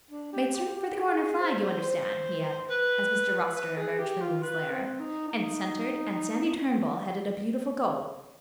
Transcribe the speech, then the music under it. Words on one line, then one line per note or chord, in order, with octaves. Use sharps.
Made straight for the corner flag, you understand,' he added, as Mr Rossiter emerged from his lair, 'and centred, and Sandy Turnbull headed a beautiful goal.
D4
G4
G4
G4
G#4
C5
C5
B4
B4
G#4
G4
F4
B4
C4
D#4
D#4